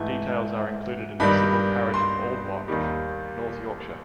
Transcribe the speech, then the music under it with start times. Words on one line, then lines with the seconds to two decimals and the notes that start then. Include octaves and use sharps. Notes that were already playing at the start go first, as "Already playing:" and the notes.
Details are included in the civil parish of Aldwark, North Yorkshire.
Already playing: G#2 E3 A3
1.20 G2 D#3 G3 B5
1.94 C6
2.68 D#2 D#3 G3